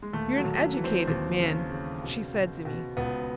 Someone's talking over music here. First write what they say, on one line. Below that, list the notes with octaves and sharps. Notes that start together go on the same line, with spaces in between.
'You're an educated man,' she said to me.
G#3
D#2 A3
F#3
D#2
E3
C4
D#2
C#3
C#3
B2
B2
B2
C#2 B3